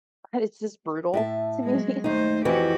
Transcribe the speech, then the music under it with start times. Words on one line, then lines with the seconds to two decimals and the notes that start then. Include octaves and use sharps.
it's just brutal to me.
1.14 A2 E5 A5
1.64 F#3 G#3
2.04 D#2 A3 D#4 C5
2.45 F2 E3 C4 F#4 G4